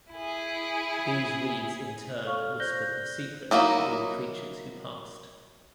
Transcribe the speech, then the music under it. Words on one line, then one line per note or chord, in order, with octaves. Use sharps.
These reeds in turn whispered the secret to all creatures who passed.
E4 G#4
A4 C#5 F5 C#6 F6
C5 D5 F#6 G6 A#6 G7
F#3 A#3 D#4 E4